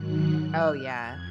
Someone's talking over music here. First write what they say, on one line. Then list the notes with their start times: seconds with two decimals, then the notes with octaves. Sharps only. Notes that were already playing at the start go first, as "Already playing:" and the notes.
Oh, yeah.
Already playing: G#2 D#3 F#3 F#6
0.45 F#6
1.00 F2 G#6